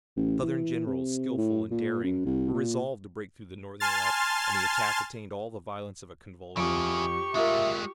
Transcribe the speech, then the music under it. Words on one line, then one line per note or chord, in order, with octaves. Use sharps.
The Southern generals, skillful and daring, were resolved to break through the Northern left, and the attack attained all the violence of a convulsion.
A1
E3
C3
A2
A#2
F#2
C2
A#2
G#5 A5 C6 F6 A6
F2 E4 F4 G4 G#4 C#6 D7
G3 G#3 F4 A#4 E5